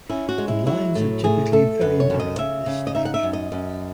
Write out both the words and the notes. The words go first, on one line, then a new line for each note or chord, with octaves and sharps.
The lines are typically very narrow at this stage.
C#4 E4
F#4
G#3
E4
F#3 E4
A2
A2 G#4
A3 A4
F#2 B4
C#5
F#2
D#5
C#3 E5
C#3
D#5
D#4 E5
F#5
E5
F#2
D#5
F#2